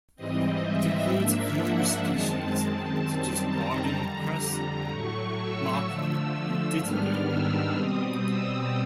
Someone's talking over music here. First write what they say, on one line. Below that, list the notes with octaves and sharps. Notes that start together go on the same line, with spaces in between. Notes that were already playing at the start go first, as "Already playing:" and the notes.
It includes familiar species such as garden cress, maca, and dittander.
G#2 E3 G3 C4 D#5
E5
G#2 F3 A#3 D4
F#5
F#2 D#3 G#3 C4 A5
A5
F#2 D#3 G3 C4
A#5
F2 D3 G3
A2 F#3 A3 C#6
E6
D3 F3 A3 E6
E6
G#2 D#3 G3 B3 D4 F6
E6
B2 G3 C4 D#6
E6